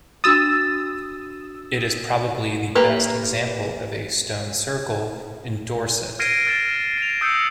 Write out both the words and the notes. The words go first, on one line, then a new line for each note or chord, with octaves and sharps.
It is probably the best example of a stone circle in Dorset.
D4 F#4 D#6 E6 A6
A#3 G4 A#4 B4
F6 G#6 A#6 C7 D7 D#7
F6 A6 D#7 E7
C7 F7
D#6 E6 G6 A#6 C7 C#7